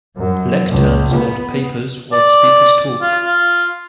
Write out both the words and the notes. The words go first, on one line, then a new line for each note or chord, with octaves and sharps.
Lecterns hold papers while speakers talk.
F#2
C#2
B3
D5
F4
F4